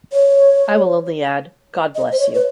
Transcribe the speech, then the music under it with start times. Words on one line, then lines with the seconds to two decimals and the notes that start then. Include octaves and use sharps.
I will only add, God bless you.
0.13 C#5
1.95 D#5
2.12 C5
2.19 C#5
2.35 B4